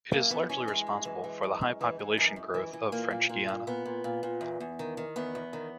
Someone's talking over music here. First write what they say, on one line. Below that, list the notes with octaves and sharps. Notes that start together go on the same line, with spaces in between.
It is largely responsible for the high population growth of French Guiana.
F#2 A#3
E3 B3
E3 C#4
F#2 G#3
F#2
E3
E3
F#2
F#2
E3
E3
F#2
F#2
E3
E3
A#2 A#3
A#2
A#2
A#2
A#2 B3
A#2
A#2
A#2
E2
E2
D#3
D#3
E2 B3
E2
D#3